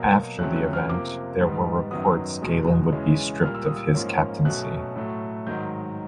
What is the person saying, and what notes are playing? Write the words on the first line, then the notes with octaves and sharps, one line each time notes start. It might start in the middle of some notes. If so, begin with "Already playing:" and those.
After the event, there were reports Gallen would be stripped of his captaincy.
Already playing: B2 F#3 A#3
F2 C#3 F#3 A3 C#4 F#6
F#6
F6
C3 F3 A#3 D6
G#2 D#3 G3 B3
F#2 D#3 F#3 B3 D#6
E2 B2 G#3
C#3 E3 G#3 C#4
A#2 G3 A#3 F6
E6
D#6
E6
G#2 F3 A#3 C#4
B2 F#3 A3 C#4 F#6
A2 F#3 A3
G#2 D#3 F#3 G6